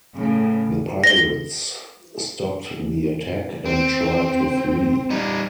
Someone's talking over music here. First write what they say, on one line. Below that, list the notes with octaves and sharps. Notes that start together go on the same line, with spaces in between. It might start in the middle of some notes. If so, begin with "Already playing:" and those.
The pirates stopped the attack and tried to flee.
A2 C#3
A#6 G7
C4
G3 D#4